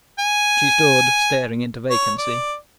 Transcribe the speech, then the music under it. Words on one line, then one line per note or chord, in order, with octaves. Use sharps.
She stood staring into vacancy.
G#5
C#5
D5